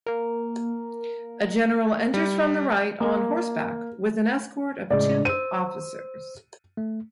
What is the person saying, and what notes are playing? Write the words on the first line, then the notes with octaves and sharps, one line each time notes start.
A general enters from the right on horseback with an escort of two officers.
A#3 A#4
G3
A#3
A2 C#3 G#3 D5
C5 E6 D#7
A3